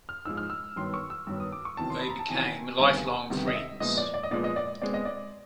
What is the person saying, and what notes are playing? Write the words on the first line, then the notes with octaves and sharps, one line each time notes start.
They became lifelong friends.
F6
G#2 F3 G#3 E6
F6
E6
G2 D#3 F#3 B3 C6
C#6
E6
G2 D#3 F#3 B3 E6
D#6
D6
C#6
E2 C3 D#3 F#3 A5
C6
B5
A#5
A5
E2 C3 D#3 F#3 G#5
D2 C3 D#3 G3 B3 G#5
D2 C3 D#3 G3 B3
D#5
E5
A#2 F3 G#3 B3 D#5
D5
D5
D#5
A#2 F3 G#3 B3 D5
D#5
D5
B2 G#3 C4 D5
D#5
D5